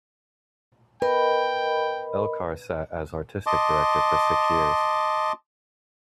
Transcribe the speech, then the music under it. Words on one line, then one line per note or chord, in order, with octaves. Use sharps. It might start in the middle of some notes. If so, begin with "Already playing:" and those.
Elcar sat as artistic director for six years.
A#4 B4 D#5 G5 B5
D#5 A5 C6 D6